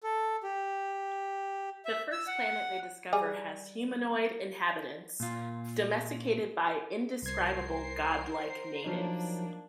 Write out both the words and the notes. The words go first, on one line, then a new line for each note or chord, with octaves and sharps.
The first planet they discover has humanoid inhabitants domesticated by indescribable godlike natives.
A4
G4
E5
E6
F#5
G3 G#4
A#2 F4
C2 A#4 C5 G#6 C7
F3 F#3 A#3 D4 D#4